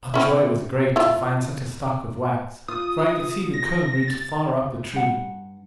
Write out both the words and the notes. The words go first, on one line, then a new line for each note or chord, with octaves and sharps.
Our joy was great to find such a stock of wax, for I could see the comb reached far up the tree.
C4 C#4 E4
E4 F4
F4 D#6
A#6
A6
G2 F#5